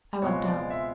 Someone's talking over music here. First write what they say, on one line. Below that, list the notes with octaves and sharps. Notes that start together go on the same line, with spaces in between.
I went down.
C#2 B2 G#3 C4 F4 C#5
D5
E5